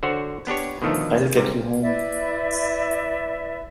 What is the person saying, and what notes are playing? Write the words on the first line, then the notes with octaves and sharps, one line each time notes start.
I'll get you home.
D3 F#4 C5 C#5 F#5
B3 D4 G4 C#5
B2 D3 D#3 F3 A3
G#2 C3 G3
E4 B4 D5 E5